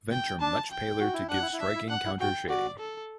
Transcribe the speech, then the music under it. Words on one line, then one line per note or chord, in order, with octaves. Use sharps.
Ventrum much paler to give striking counter shading.
G5
D4 A5
G5
F#4
E4
D4 F#5
E4
E4
D4 E5
E4
D4 F#5
E4
F#4 G5
F#4 D5
A4